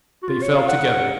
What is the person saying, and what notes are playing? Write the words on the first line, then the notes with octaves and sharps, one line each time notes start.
They fell together....
F#4
F4
C#5
F5
F#5